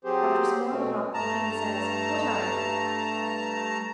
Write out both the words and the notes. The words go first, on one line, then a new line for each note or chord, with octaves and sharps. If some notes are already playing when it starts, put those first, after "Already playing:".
After some more talk the king says, "What are you?"
F#3 C4 G4 G#4 C5
B2 A3 C4 C#4
G2 A3 A5 A#5